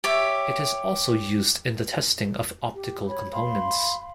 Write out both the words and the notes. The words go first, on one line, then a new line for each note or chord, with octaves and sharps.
It is also used in the testing of optical components.
G4 C#5 E5
G4
C#5 B5
F5 B5 C6